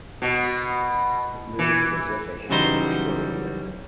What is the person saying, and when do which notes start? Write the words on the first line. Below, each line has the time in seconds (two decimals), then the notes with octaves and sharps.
It moved as if a hand were stroking it.
0.22 B2
1.59 E3
2.50 C#3 E3 F#3 G3 D#4 C5